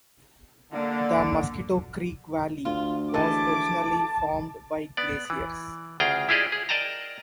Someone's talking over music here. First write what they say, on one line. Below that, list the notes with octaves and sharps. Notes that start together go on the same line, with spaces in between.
The Mosquito Creek Valley was originally formed by glaciers.
D3 A#3 D5
D2 F4
E3 G#3 A3 A5 D6
B3 D5
E3
D2 C#3 F4 G#4 G5 A#5
E4 F4 G4 G#4 D5 D#5
G#4
A#4 D5 D#5 G5 A5 A#5